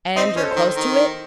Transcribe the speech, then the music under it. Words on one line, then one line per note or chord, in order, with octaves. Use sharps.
"And you're close to it?"
C4 D#4 D#5
C#4 C5
A4
C5
D#3
D#3